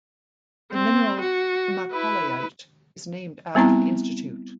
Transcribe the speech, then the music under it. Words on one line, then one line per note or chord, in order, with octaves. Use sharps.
The mineral Macaulayite is named after the Institute.
C4
F#4
E4 B4
G3 B3 C4 E4 A#5